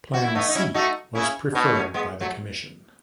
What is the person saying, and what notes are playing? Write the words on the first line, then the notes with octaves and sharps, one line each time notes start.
Plan C was preferred by the commission.
F#4
E4
A3 B3 D#4
D#4
C#4 E4
A3 D#4 F#4
C#3 C#4 E4
B2 B3 D#4
A3 C#4
G#3 B3
F#3 A3